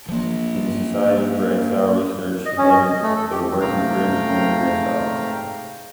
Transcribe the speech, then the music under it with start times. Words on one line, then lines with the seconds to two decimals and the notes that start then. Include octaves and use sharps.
In the "Society for Exile Research" she headed the working group "Women in Exile".
0.08 F3 A#3
2.45 D#5
2.58 C#4
2.73 D#5
2.89 D#5
3.02 A3
3.16 A4
3.31 G4
3.61 G#2 C3 A3 F5 G5 A#5